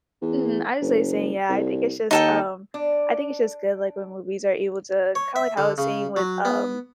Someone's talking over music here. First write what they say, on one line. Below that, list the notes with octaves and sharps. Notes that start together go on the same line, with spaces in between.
Mhm. I was like saying, yeah, I think it's just, um I think it's just good, like, when movies are able to kinda like how I was saying with, um,
E2
F#1
C2
D#2 D#4 A4 G5
D4
C#5
E5
D3
C#3
F#3
B3